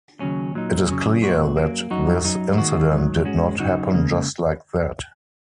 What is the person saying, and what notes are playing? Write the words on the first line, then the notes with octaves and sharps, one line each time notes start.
It is clear that this incident did not happen just like that.
D#2 C#3 F#3 C#4
A#2 F#3 D#4
C#3 F#3 C#4
A#2 G#3 F#4
F#2 F#3 A#3
F#2 F#3 D#4 F#4
F#2 F#3 D#4
D#2 D#3 G#3 F#4
G#2 D#3 F#3
G#2 G#3 C#4 F#4
C#3 F#3 D#4 F#4
C#2 C#3 A#3